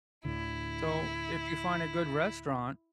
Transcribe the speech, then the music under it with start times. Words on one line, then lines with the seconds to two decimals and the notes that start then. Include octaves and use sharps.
So, if you find a good restaurant,
0.25 D2 A2 D3 E4